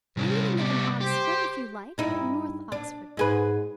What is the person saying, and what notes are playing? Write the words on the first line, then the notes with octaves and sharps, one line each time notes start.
I'll even live in Oxford if you like--North Oxford.
A2 C3 G3 C#4
B2 G4 D5
G4 C5
G2 D#4 E4
D4
G#2 G#4 B4